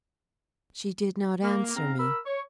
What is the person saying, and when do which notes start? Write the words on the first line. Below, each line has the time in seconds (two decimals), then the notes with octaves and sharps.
She did not answer me.
1.43 A#3
1.76 G#2 C4 F5 A#5
1.99 A#4 B5 E6
2.26 C#5 C#6